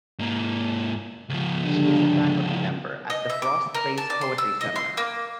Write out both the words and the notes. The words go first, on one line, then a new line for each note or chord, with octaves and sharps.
She is a faculty member at The Frost Place Poetry Seminar.
G#2 A#3
C#2 F3
D3 G3 D4
D#5
E5
D6
A#4
A5
D5
C6
E6
D#5
C6
A#3